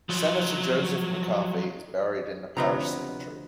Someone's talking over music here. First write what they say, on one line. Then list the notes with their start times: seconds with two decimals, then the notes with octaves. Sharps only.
Senator Joseph McCarthy is buried in the parish cemetery.
0.09 F3 F#3
2.57 D2 C3 F3 F#3 B3 D#4 A#5